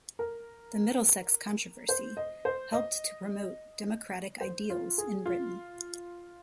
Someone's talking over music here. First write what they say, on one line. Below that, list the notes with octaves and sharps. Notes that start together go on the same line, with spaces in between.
The Middlesex controversy helped to promote democratic ideals in Britain.
A#4
C5
D#5
C5
D#5
C5
F4
G#4
F4